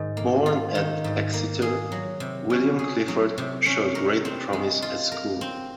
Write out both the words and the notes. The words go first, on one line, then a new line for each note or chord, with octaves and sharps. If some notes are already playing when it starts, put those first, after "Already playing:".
Born at Exeter, William Clifford showed great promise at school.
Already playing: G#2 D#3
A#3
F4
D#3
G#2
A#3
G#4
F#3
C3
C#4
G#4
F#3
C3
C#4
A#4
C4
G#3
F4
A#4
C4